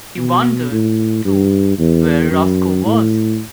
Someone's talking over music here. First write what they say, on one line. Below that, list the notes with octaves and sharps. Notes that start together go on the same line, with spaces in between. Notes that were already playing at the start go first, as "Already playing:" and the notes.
He wondered, too, where Roscoe was.
B2
A2
G2
E2
F#2
A2